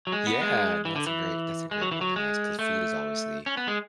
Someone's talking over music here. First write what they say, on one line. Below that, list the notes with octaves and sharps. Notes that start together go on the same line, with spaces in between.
Yeah, no, that's a great that's a great one to ask, 'cause food is obviously
F#3
G#3
B3
G#3
E3
D3
E3
G#3
F#3
E3
F#3
G#3
A3
C#4
B3
G#3